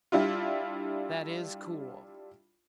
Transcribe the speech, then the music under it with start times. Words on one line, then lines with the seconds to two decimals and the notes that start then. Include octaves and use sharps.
That is cool.
0.12 G3 D4 E4 F4